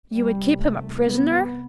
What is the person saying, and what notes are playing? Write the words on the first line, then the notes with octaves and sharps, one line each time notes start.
"You would keep him a prisoner?"
C2 C3 G3
A3
B3